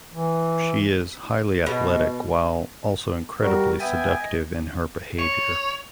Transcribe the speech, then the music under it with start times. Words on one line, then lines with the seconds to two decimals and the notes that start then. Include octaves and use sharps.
She is highly athletic while also incredibly seductive in her behavior.
0.14 E3
1.66 B2 D#5
3.41 G3 F#4 A#4
3.80 B3 E5 G5 G#5
4.20 D#5
5.19 C#5